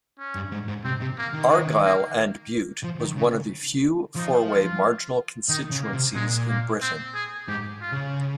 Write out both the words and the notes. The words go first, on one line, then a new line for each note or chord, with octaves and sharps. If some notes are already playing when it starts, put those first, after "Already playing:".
Argyll and Bute was one of the few four-way marginal constituencies in Britain.
C#4
G2
G#2
G#2
C3 C4
C3
A#3
D#3
G#3
A#3
F3
D#3
C#3
F3 D#4
F4
D#3 D#4
C#3
A#3
C3
A#2 G#3
A#3
C4
G#4
G#2 G4
F4
C#3